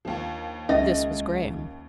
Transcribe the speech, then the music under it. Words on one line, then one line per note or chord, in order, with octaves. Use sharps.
This was Graham.
D#2 F3 D4
C#2 G#3 C#4 D#5 E5